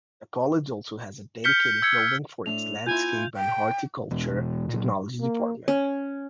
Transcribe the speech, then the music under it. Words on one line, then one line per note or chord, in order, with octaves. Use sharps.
The college also has a dedicated building for its Landscape and Horticulture Technology Department.
F6 G6 B6 C#7 G7
E6 G#6 C#7
A2 D4 F7
B3 E4 F4 G#5 G6
G5
E2 B2 E3 G#3
A#2 F#3
A#3
C#4